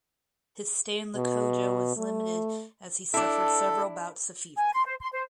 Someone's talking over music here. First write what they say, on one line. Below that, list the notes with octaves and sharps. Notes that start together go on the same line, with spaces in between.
His stay in Lokoja was limited as he suffered several bouts of fever.
B2
A3
D4 E4 A4
G#5
C6
C5
C6
C5